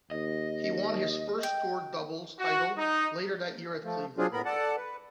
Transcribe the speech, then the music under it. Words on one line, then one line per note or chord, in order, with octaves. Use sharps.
He won his first tour doubles title later that year at Cleveland.
D#2 D#5
G5
F#4
D#4
F3 A3
F#3 C4 D4 F4 G#4
A2 B3 A#4 B5
A4 D5 F#5 A5
B4